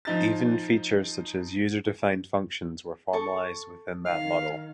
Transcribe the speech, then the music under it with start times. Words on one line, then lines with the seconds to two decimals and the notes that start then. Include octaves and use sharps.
Even features such as user-defined functions were formalized within that model.
0.05 F3 D#4 A6
3.13 A4 C#6
4.05 D#3 F5 F6